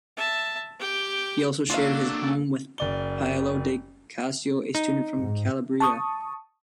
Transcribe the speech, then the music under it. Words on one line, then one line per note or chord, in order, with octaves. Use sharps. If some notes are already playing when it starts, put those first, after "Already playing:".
He also shared his home with Paolo di Ciacio, a student from Calabria.
E5 A5
G4 G5
F#3 A3 A#3 D4 F4 F5
F#1 D5 G7
D#4
G#2
A5 C#6 D#6